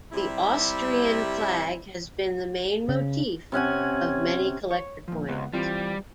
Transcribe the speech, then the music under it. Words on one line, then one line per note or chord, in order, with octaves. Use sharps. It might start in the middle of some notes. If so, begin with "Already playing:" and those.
The Austrian flag has been the main motif of many collector coins.
C3 G3 E4
C#3
C3 C#4 F#5 G#5
C#5
A#2 F3
C#2 B3
E3 G3 C4 F4